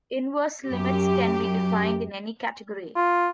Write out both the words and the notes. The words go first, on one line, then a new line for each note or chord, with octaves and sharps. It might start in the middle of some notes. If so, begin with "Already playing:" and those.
Inverse limits can be defined in any category.
F#2 G4
F4